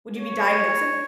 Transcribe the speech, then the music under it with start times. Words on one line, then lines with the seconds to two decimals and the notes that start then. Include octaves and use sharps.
Would you be diagnosing?
0.18 C#5